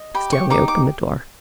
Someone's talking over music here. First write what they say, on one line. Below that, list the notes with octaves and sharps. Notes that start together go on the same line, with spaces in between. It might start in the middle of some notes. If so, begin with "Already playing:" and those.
Stanley opened the door.
Already playing: D#5
G4 B5
C#6
D#4 D6
D6